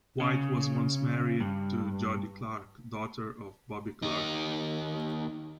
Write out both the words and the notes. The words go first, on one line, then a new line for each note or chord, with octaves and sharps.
White was once married to Jody Clarke, daughter of Bobby Clarke.
C#3
G2
D#2 D#4